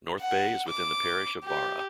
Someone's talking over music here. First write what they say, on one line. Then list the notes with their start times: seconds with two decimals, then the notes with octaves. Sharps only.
Northbay is within the parish of Barra.
0.20 F#5
0.69 D6
1.45 G4